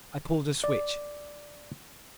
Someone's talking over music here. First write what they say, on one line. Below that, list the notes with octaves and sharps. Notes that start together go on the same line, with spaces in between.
I pulled a switch.
D5